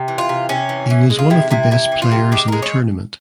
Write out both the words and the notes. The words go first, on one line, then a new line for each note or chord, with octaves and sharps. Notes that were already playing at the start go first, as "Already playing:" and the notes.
He was one of the best players in the tournament.
Already playing: C3
E3
F4
C3
C3 C#4
E3
E3
G#3
F4
C3 E4
C3 E4
C3 E4
E3
F4
C3
G#3 G4
G#3 A#4
C#5